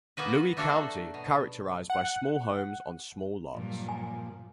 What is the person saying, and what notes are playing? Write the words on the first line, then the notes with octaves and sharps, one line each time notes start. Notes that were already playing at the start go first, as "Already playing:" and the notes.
Louis County, characterized by small homes on small lots.
A#3 B3 F#4 B4
A3 A#3 D4 F#4 A4
B2
F#5
G2 A#2 F3 F#3
G#5